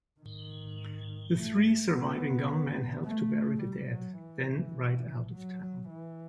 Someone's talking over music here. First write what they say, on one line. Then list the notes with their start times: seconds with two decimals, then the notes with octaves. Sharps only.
The three surviving gunmen help to bury the dead, then ride out of town.
0.20 D#3
1.34 A3
1.90 B3
3.05 A3
3.62 G3
3.90 F#3
4.17 E3
5.31 F#3
5.88 E3